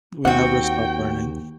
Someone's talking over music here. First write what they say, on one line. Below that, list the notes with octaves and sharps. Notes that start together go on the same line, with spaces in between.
We never stop learning.
D#2 C4 F#4 F#5 G5